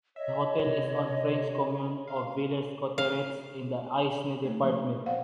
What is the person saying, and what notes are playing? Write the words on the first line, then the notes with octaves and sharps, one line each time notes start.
The hotel is on the French commune of Villers-Cotterêts, in the Aisne department.
C#5 D#5 E5
C3
F5
F5
A3 A#3 D#4
F3 C#5
C5 D5 F5 F#5